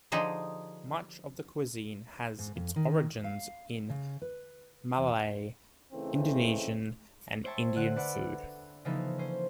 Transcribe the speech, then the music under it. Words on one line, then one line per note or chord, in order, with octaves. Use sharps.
Much of the cuisine has its origins in Malay, Indonesian, and Indian food.
D3 F3 D#4 G4 G#4 C5
G#2
F2
D#3
F5
C#3
B4
E2
C#3 E3 A3 C4 D#4
C5 C#5 E5 G5 A5 C#6
D3 F#5 F#6
D4 A4 B4 D5 F#5
C#3 E3 F3 A#3 D#4 A4
C#4 C5